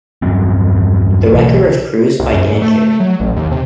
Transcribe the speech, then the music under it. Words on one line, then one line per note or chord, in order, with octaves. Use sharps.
The record was produced by Dan Carey.
E2 G2 F#3 C4
B1 E3
C2
F#2
G#2
A3
A3
F#3
A1
D#2
C3